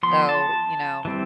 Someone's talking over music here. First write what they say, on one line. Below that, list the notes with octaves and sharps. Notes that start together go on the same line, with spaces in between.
So, you know
F3 B3 C6
A5
E3 G3 C4